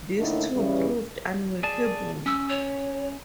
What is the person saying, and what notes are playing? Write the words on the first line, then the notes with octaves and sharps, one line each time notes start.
This too proved unworkable.
A2 D3 A3 A#3 D#4 D#5
C#3 E3 G3
G#4 D5 A5
C#4 E6
C#5